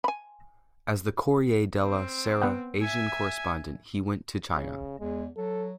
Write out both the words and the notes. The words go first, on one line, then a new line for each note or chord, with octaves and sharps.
As the "Corriere della Sera "Asian correspondent, he went to China.
G#5 B5
C4
B3 F#5 G5
E5 G#5
C#3
E2 G#3
F#3 A4